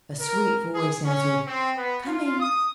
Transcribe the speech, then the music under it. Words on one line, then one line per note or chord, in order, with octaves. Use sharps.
A sweet voice answered, "Coming!"
A#4
G#4
C#4
C4
B3
F4
D#6